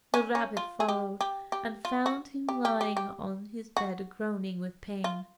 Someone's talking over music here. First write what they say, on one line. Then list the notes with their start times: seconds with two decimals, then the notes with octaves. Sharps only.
The rabbit followed and found him lying on his bed groaning with pain.
0.14 C#4
0.35 C#4
0.57 F4
0.80 G#4
0.88 G4
1.21 G4
1.52 G4
1.85 F4
2.06 F#4
2.49 G4
2.65 G4
2.81 G4
2.97 G4
3.77 F#4
5.04 F4